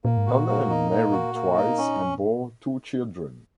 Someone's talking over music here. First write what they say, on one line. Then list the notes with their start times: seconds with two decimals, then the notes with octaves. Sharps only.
Helene married twice and bore two children.
0.04 A#2 A#3
0.17 G#2
0.27 A#2 F#4
0.48 A#3
0.70 D#4
0.91 A#3
1.12 F#4
1.35 A#3
1.57 D#4
1.78 C#4